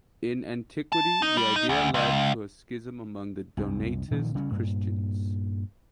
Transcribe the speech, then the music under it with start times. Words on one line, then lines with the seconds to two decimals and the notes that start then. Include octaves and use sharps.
In antiquity, the idea led to a schism among the Donatist Christians.
0.92 A5
1.22 D#4
1.37 G3
1.56 D#4
1.69 D2
1.94 C#2
3.57 C2 F#2
4.11 A#2 D#3 F3 A#3
4.35 C#3 G3 C4 C#4
4.51 G2 A#2